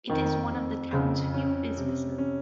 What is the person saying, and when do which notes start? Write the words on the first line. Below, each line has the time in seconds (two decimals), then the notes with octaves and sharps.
It is one of the town's few businesses.
0.09 F2 D#3
0.52 F2
0.93 F2 C#3
1.34 C#4
1.77 C3
2.18 C#4